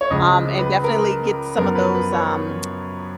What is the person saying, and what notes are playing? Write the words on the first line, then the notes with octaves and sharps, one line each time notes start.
um, and definitely get some of those, um,
C#5
C#2 C#3 F3 G#3 D#5
B4
A#4
F#2 F3 B3 A#4
B4
B4
C#5